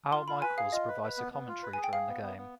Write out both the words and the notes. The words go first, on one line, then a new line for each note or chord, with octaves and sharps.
Al Michaels provides the commentary during the game.
F4 C6
F4 B5
B4 G#5
G#4 F5
F4 D#5
B4
B4
B3
B3
F4
B4
G#4 G#5
G5
G#4 F5
B3
B3
B3